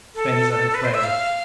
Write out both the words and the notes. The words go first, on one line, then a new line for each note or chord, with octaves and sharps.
Venza had failed.
A4
B4
C5
E5
F5